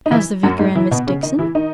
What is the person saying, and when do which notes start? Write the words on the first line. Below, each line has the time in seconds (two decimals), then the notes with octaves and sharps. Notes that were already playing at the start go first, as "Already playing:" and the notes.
How's the Vicar and Miss Dixon?
0.06 D#4
0.11 E3 E4
0.43 F#2 F#3
0.59 G#2 G#3
0.75 E3 E4
0.91 B2 B3
1.07 C#3 C#4
1.23 D#3 D#4
1.39 E3 E4
1.55 D#3 D#4